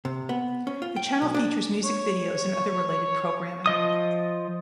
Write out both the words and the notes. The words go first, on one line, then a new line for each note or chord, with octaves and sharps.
The channel features music videos and other related programming.
C3
B3
C#4
F4
G5
B1
D4
C#5
F3 D#5 D#6